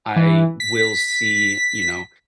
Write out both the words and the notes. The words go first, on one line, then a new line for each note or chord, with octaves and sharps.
I will see, you know,
E3
B6